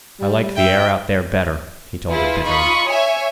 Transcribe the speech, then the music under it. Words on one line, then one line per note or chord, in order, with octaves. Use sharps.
"I liked the air out there better," he told her bitterly.
G3
E5 G5
E4 F4 G#4 B4
D#4 F4 B5 C#6 D#6
C#5 E5 G#5